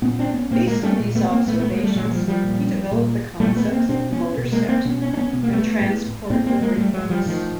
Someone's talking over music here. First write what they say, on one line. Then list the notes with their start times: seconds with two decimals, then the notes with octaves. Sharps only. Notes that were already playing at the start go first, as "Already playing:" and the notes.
Based on these observations, he developed the concepts of "motor set" and "transcortical reflex".
0.02 A#2 B3 C#4
0.19 C4 D4
0.34 B3 C#4
0.50 A#2 A#3 C4
0.67 G#3 A#3
0.82 G3 A3
0.99 A#2
1.15 A3 B3
1.31 A#3 C4
1.47 A#2 A3 B3
1.59 A3 B3
1.72 G#3 A#3
1.83 G3 A3
1.95 A#2 F#3 G#3
2.07 G#3
2.11 F3 G3
2.28 F3 G3
2.44 A#2
2.91 A#2
3.40 A#2 G3 A3
3.56 A3 B3
3.72 A#3 C4
3.89 B2 C4 D4
4.13 B3 C#4
4.37 B2
4.52 G#3 A#3
4.69 A#3 C4
4.85 B2 B3 C#4
5.02 B3 C#4
5.14 D4
5.17 B3 C#4
5.33 B2 B3
5.43 A#3
5.52 A3 B3
5.81 A2
6.30 A2 A#3 C4
6.46 A#3 C4
6.61 G#3 A#3
6.77 A2 G3 A3
6.93 F#3 G#3
7.10 F3 G3
7.26 A2 D#3 F3